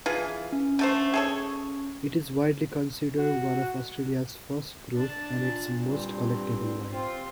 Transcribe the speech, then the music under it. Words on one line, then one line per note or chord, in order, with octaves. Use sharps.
It is widely considered one of Australia's "first growth" and its most collectable wine.
E3 F4 G#4
C#4
D3 A3 C5
G#4 A4 C#5
F#4
D4 A5
A#2
G2 C4
C4 F4 G4